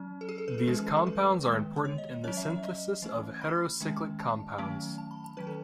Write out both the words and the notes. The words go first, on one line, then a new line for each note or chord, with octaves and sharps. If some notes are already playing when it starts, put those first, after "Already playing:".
These compounds are important in the synthesis of heterocyclic compounds.
Already playing: F#3 C#4
A4
G#4
A4
B4
A4
E3 G#3 C#4 G#4
G#4
A4
B4
D#3 G#3 B3
C#5
D#5
F#3 C#4 C#5
E5
E5
D#5
E3 A3 C#4
B5
D#3 G#3 C#4
A5
D#3 F#3 A3 C#4
A5
B5
A5
D#3 F#3 C#4 B4
A4